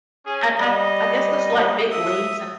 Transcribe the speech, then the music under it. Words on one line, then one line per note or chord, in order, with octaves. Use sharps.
I I I guess 'cause, like, big leaves and
C#4 G#4
G3 D#5
E5 D#6